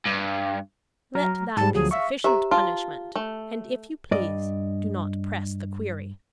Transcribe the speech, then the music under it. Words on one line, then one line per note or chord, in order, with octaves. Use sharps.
Let that be sufficient punishment; and, if you please, do not press the query.
G2
F#3 A#5 F6
G#2 G3 A5
D2 F3 F#3 G#4
E5 F5 C#6
G4 C5 E5 A#5
F4 A5
A3
G2 D5 D#5